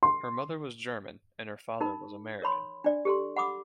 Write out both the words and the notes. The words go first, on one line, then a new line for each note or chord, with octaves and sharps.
Her mother was German, and her father was American.
C6
D#4 A#4 B5
A#4 C#5 B5 C6
D4 D5
G4 A4 C6
F#5 B5 D6 D#6